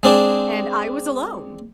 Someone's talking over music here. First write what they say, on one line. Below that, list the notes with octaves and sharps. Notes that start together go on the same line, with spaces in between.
and I was alone
G#3 C4 D4